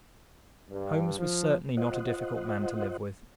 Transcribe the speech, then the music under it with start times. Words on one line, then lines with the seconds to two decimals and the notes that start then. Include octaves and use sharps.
Holmes was certainly not a difficult man to live with.
0.71 G2
1.19 F3
1.77 F4 C5 D#5 F#5